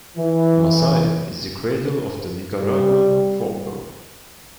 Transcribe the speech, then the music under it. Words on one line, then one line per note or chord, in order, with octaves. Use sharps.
Masaya is the cradle of the Nicaraguan folklore.
E3
G3